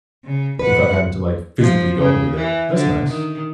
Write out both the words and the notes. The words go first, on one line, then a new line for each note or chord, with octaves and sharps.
without having to, like, physically go over there. That's nice.
C#3
F2 B4 F#5
F3
C#3
E3
D3
D#3